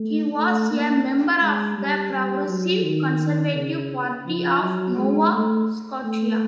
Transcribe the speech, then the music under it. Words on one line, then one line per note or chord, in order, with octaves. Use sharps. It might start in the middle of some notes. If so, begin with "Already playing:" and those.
He was a member of the Progressive Conservative Party of Nova Scotia.
Already playing: A3
A3
A#3
G#3
G3
G3
F#3
D#3
C#3
F3
F#3
G#3
A3
A3